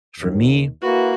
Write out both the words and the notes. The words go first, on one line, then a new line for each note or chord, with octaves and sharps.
For me,
D#2
A#3 E4 F#4 B4